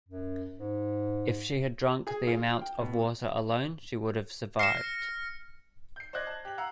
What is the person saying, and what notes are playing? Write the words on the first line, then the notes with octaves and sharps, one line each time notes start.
If she had drunk the amount of water alone she would have survived.
F#2
G#2
G#4
F4
G5
B2
F6 A#6 C7 C#7 E7
G6 C7
C5 D5 D#5 F#6 G#6 A#6
A5
G4 F#7
F5 F#5 A#5 E6 F#6